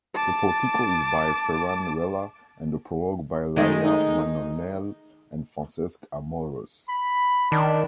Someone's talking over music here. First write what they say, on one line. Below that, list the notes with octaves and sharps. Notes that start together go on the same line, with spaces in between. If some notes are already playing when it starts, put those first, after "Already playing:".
The portico is by Ferran Rella and the prologue by Laia Manonelles and Francesc Amorós.
A5 D6
D#3 G#3 A3 D#4
D#4
B5
D#3 D4 A5